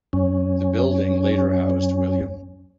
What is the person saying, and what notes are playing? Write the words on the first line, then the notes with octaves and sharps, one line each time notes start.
The building later housed Wm.
F#2 C#4